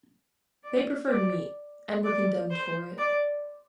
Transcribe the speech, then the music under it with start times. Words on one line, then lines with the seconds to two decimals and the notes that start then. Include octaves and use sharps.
They preferred meat, and were condemned for it.
0.63 D5
1.10 D5
2.04 D5
2.51 C5
2.98 D5